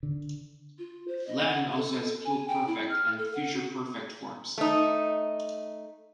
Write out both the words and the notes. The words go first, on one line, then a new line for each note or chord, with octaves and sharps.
Latin also has pluperfect and future perfect forms.
D3
F4
C5
D#5
F#5
A4
G#5
G5
E4
F6
A4
F#5
F#4
A3 D#4